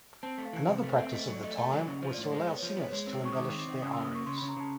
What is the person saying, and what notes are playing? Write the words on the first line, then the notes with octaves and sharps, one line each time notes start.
Another practice of the time was to allow singers to embellish their arias.
C4 A5
A3
F5
E3
C3 C5
A3 B4
C5
C4 E5
A3 D#5
F#3
D5
A3 D#5
A3 D5
F#3
C#3
F3 C5
A2 D5
C#5
G#3 C5
B3 C5
C#5
F3
C#5
B3 C5
G#3 C#5
C4
G5
G#3 C#6
D#6
D#3 D6
C4
D6
D#3
C#3 D#6
A#3 E6
D#6
C#3 C#6
C#3 C6
C#3 B5
A#5
C#3 A5